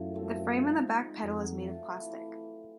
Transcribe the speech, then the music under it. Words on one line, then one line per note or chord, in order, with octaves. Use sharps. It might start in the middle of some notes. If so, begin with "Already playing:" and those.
The frame and the back panel is made of plastic.
Already playing: F#2 A2 F4 A4
F3 A3 C4
G#2
D#3 G#3
F2 F#3
A3 C4 F4
E3